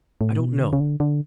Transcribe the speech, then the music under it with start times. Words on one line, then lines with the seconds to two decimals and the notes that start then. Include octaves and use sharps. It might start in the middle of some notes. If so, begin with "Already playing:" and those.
I don't know.
0.21 A2
0.40 B2
0.60 D3
0.73 C#3
0.80 D3
1.00 D3